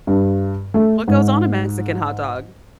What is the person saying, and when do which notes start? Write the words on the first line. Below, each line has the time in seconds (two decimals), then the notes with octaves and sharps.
What goes on a Mexican hot dog?
0.07 G2
0.74 A3
1.08 G#2